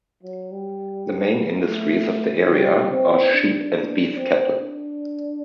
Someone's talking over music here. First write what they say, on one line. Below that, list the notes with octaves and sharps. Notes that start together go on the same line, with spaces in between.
The main industries of the area are sheep and beef cattle.
F#3
G3
A3
G3
C4
D4
D4
C4
D4